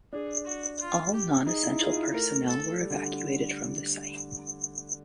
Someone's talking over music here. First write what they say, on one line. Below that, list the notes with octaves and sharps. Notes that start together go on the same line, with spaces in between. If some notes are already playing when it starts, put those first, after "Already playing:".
All non-essential personnel were evacuated from the site.
D4 G#4
F#4
F4
G4
D#4 G#4
E4
F4 G#4
D#4
E4
D#4
A3 A#4
A4
G3
D3